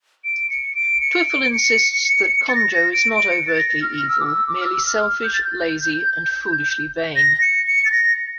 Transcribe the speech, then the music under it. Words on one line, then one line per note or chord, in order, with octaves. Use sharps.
Twiffle insists that Conjo is not overtly evil, merely selfish, lazy, and foolishly vain.
D7
C#7
D7
C#7
D7
C#7
A6
A#6
A#6
D7
D7
C#7
A6
A#6
F6
E6
D6
E6
D6
F6
E6
F6
G6
A6
G6
A#6
C#7
C#7
A6
A#6